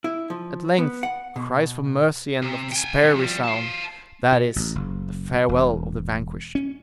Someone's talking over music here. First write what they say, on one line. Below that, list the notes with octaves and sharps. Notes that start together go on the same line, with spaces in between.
At length cries for mercy and of despair resound; that is, the farewell of the vanquished.
E4
F3
B3
F#5
B2
C3
G5 G#5
B1 C#4
F3 G3
F5 A5
B2
A1
F#1
E1
C#4